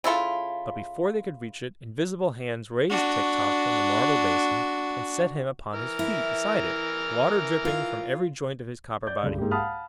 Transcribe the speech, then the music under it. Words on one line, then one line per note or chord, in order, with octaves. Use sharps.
But before they could reach it, invisible hands raised Tik-Tok from the marble basin and set him upon his feet beside it, water dripping from every joint of his copper body.
C#3 E4 F4 A4
D4 F#4
E3 A#4 F6
E4
F4
D5 G6
C#2 G2 D3
G#2 A#3 G4
F5 F#5 A5 B5 D#6 F6